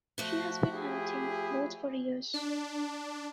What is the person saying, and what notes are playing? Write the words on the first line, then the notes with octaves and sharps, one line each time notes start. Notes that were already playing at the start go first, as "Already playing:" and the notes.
She has been hunting both for years.
F3 A3 F#4
E4 G4 G#4
D4